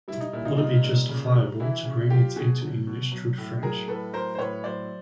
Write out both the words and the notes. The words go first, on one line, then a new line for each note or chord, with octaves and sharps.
Would it be justifiable to bring it into English through the French?
G3 E4
D#4
A#2 E4
D#4 F4
G3 D#4 F4
A#2
C#3
G3
E3 E4 F#4
C#3
F#3 F4 G4
B2 F#4 G#4
F#3
B2
F#3
A2
F#3 G#4 A#4
A2 A4 B4
F#3 A#4 C5
C5
A2 B4 C#5
F#3 C5 D5